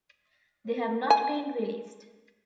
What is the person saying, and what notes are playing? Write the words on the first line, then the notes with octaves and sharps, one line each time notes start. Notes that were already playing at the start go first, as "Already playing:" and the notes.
They have not been released.
G#5